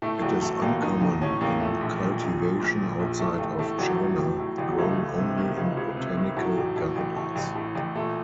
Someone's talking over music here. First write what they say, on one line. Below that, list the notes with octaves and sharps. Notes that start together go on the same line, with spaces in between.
It is uncommon in cultivation outside of China, grown only in botanical gardens.
A2 A3
A1 F#3
A2 A3
A3
A1 A#3
A2 D#4
A1 D#4
A2 C#4
A1 A#3
A#2 A3
A#1
A#2
A#1
A#2
A#1
A#2
A#1
A2 A3
A1 A3
A2 A3
A1 F#3
A2
A1
A2
A1
F#3
C#2 A3
C#2
C3
D#3
C#2
C#2
C3
D#3
A2 F#3
A1
A2
A1
A2
A1
A2
A1
A#2 A3